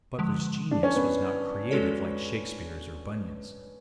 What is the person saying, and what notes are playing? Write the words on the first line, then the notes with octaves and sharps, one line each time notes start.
Butler's genius was not creative like Shakespeare's or Bunyan's.
D3 F3 G#3
D4
C#4
B3
G#3 C#4 F#4 A4 C#5